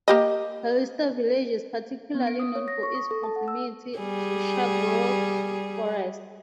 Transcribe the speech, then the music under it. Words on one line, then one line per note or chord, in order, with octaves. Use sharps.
Kallista Village is particularly known for its proximity to Sherbrooke Forest.
A#3 G4 D#5
B3
D7
D#6
C#5
A#6
C#6
D#6
A4
A5
F#5
E6
G3 G#4